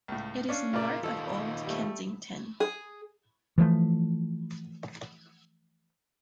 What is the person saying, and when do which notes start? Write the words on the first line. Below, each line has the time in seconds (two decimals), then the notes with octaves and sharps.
It is north of Olde Kensington.
0.08 C#2 A2
0.49 C#4 D4 F5
0.74 C#3 F4 A#4 D5
1.03 D#3 F4 A4
1.66 G3 A3
2.60 G#4
3.58 E3 F3 A3